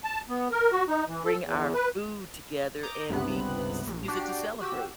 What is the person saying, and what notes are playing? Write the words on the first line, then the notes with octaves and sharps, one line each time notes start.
bring our food together and we c use it to celebrate.
A5
B3
A#4
F#4
D#4
E3
A4
E2
B4
A#5 D6 D#6 G6
G1 C#2 G2 C3 B3 F#6
A#1
D4 F#4 G4 C7 D7
F#4 G4 E6